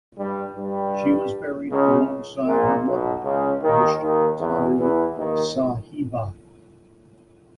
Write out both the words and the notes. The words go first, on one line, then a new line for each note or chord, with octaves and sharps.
She was buried alongside her mother, Mushtari Sahiba.
G2 G3
G2 G3
C#2 C#3
A#1 A#2
B1 B2
C#2 C#3
D#2 D#3
D#2 D#3
E2 E3
E2 E3
D#2 D#3